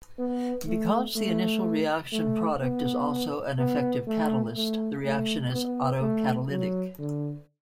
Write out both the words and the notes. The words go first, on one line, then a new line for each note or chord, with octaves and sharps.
Because the initial reaction product is also an effective catalyst the reaction is autocatalytic.
B3
A3
A3
A3
B3
B3
A3
A3
A3
B3
A3
F#3
D3